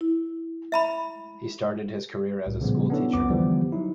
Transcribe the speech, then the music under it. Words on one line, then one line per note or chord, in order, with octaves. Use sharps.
He started his career as a schoolteacher.
E4
E5 A#5 B5
C2 A2
A#2 C#3 F3 G3 B3
B3 C#4 D4 E4 A4 C#5
C2 F2 F3 B3 D6
D3 E3 F3 G3 B3
F#3 D#4 E4